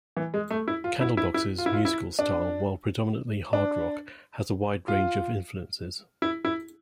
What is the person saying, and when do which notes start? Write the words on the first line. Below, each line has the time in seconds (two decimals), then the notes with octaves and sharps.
Candlebox's musical style, while predominately hard rock, has a wide range of influences.
0.17 E3
0.34 G#3
0.51 A3
0.68 E4
0.84 F4
1.01 E4
1.17 E4
1.34 E4
1.58 F4
1.66 E4
1.73 F4
1.85 E4
2.19 D4
3.53 D4
4.88 F4
6.22 E4
6.45 E4